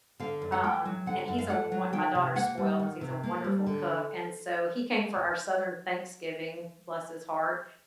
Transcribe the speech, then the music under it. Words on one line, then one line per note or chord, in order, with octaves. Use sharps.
um, and he's a wo my daughter's spoiled because he's a wonderful cook, and so he came for our southern Thanksgiving, bless his heart,
D3 F5
F#2
F#5
A3 G5
F#3
D3 F#5
F#2
F5
A3 F#5
F#3
D#3 G5
C3
A#3 F#5
G3
D#3
C3
A#3
G3
D3